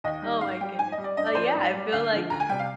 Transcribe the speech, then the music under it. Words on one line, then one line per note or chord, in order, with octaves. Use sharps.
Oh my goodness. Uh, yeah, I feel, like
D#2 D#5
D#3 G3
G#2 F5
G3 G5
G#2 G#5
D#5
G3
D5
G2 D#5
D5
F3 C5
D5
G#2
G3
D2 F5
D3 F3
D2 A#5
G#5
C3 G3 G5
F5